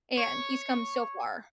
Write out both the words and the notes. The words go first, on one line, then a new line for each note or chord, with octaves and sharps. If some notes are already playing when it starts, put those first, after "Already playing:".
And, he's come so far.
C#5